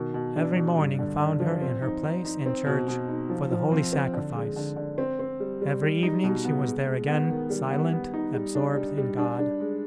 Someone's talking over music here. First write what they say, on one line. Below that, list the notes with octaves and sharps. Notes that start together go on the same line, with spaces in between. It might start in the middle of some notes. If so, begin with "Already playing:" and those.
Every morning found her in her place in church for the Holy Sacrifice; every evening she was there again, silent, absorbed in God.
Already playing: B2 D#3
B2
D4
B2
G2
D3
D3
F3
C4
D#4
D#4
D#4
C4
B2
B2
D#4
F3
F3
C4
C4
D3
G#3
D3
D3
C4
C4
G3
G3
G3
D#4
B2
B3
G#3
G#3
B3
D#3
G3
B3
B3
D#4
G3
D4
G3
G3
D4
D4
G#3